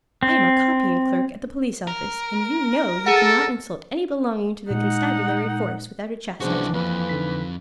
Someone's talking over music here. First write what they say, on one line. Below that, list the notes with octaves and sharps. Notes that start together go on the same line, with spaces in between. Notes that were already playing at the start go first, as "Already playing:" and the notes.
I am a copying-clerk at the police-office; and you know you cannot insult any belonging to the constabulary force without a chastisement.
C4
A#4
G#4 A4 F#5
A#2 G#3 D#4 F#5
C2 E3 F3 C#4 D4 F#4 G#4 C5
F2 A#3 B4
D3 D#4 B6